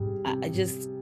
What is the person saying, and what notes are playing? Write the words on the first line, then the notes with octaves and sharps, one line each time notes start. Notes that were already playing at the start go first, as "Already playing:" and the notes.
I I just
Already playing: G#2 C3 G3 G#4
C3